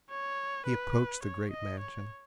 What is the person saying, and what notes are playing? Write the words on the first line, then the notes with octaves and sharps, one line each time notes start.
He approached the great mansion.
C#5
B4
C#5
D#5
C#5